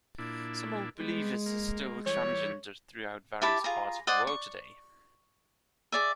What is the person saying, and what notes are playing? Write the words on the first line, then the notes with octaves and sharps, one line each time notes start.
Some Old Believers are still transient throughout various parts of the world today.
A#2 D4 E4
G3 G#3 B3
A#3
E3 G3 C#5 C#6
E4 G4 A5 B5
F4 G#4 A#5
C5 D5 D#5 F#5
C#6
G#4 D5 E5